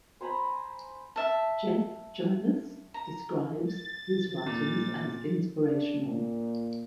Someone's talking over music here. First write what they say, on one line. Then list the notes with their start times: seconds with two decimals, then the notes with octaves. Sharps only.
Jeff Jonas describes his writings as inspirational.
0.21 C5 G#5 A#5 B5
1.16 E5 A5
2.94 A#5
3.66 A6
4.46 A#2
5.60 D4
6.03 A#2